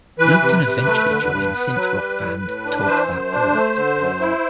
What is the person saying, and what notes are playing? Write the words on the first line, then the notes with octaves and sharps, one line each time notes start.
Lugton eventually joined synth rock band Talk That Walk.
E3 B4
C3
C3
A3
D3
G2
B3
F#3
G3
A2
A2
D4
E3 C5
F#2
D4
A3
D3
F#2
E4